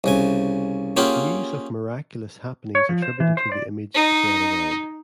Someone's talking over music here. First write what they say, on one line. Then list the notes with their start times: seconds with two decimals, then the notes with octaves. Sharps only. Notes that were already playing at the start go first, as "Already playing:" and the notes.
News of miraculous happenings attributed to the image spread around.
0.04 C2 C#3 G#5
0.97 A#3 C#4 F4 G4 G#4 F#5
2.75 C#5
2.89 F3
3.02 C5
3.20 E3
3.37 C5
3.52 D5
3.94 D#4